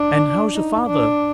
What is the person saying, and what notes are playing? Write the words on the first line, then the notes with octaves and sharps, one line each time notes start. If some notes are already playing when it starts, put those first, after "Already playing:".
"And how's your father?"
Already playing: D4
D#4
D4